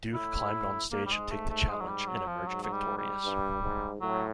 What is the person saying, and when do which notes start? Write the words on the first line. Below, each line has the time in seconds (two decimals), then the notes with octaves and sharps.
Duke climbed on stage to take the challenge, and emerged victorious.
0.14 A2 E4
0.92 G#2 A#3
1.06 G3
1.11 G#3
1.31 A3
1.49 A3
1.69 G#3
1.80 F#3
1.88 G3
2.07 F#3
2.27 F3
2.47 G#2 F#3
2.63 F#3
2.72 G3
2.98 G3
3.24 G2
3.62 G#2
4.01 A2 F#3